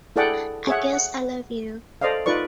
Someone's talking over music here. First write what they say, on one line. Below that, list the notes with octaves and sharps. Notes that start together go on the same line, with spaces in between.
I guess I love you.
E4 G#4 A4 D5 F#5 G5
G#4 C#5 E5 F#5
F#5
A4 C5 D5 D#5 F5
D#4 F4 B4 D5 C#6